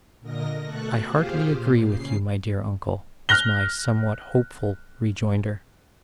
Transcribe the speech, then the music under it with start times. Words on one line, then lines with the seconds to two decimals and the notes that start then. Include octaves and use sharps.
"I heartily agree with you, my dear uncle," was my somewhat hopeful rejoinder.
0.20 A#2 D3 A#4 D#5 A#6
0.62 B2 A3 A4 C#6 F#6
1.07 F4 G4 G#4 C5 F5
1.47 A#2
1.86 C#3 C7
3.29 F6 F#6 A#6 G7